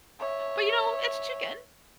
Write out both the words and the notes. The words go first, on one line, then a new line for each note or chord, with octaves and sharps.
But, you know, it's chicken.
C#5 E5